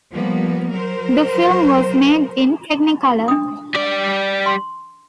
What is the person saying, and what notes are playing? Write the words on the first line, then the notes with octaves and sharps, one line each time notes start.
The film was made in Technicolor.
F3 G3 A#3 B3
F#3 A#4 C5
D4 D#6
G3 D5 D6
C6